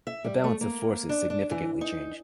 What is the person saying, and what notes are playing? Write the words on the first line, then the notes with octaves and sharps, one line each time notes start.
The balance of forces significantly changed.
E5
G3
A3
A#3
D4
D4
E3
D#4